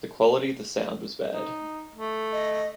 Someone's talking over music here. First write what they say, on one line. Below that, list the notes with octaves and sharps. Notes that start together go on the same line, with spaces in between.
The quality of the sound was bad.
D#4
A3
D#5